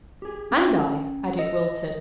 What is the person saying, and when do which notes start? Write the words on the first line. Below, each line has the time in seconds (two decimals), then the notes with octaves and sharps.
"And I," added Wilton.
0.22 G4 G#4
0.51 C#4 G5
1.39 A4 D#5